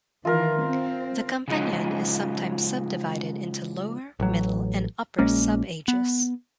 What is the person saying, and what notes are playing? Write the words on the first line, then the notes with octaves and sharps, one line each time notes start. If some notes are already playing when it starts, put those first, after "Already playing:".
The Campanian is sometimes subdivided into Lower, Middle and Upper subages.
D#3 E3 F4 A#4
C4
C#3 F3 F#3 G#3 D#4 D#5
A1 F#3
A#1 G#3 A#3 C#4
B3